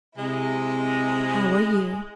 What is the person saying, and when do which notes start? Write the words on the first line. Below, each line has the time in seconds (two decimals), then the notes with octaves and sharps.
"How are you?"
0.18 C3 G#3 E4 D#5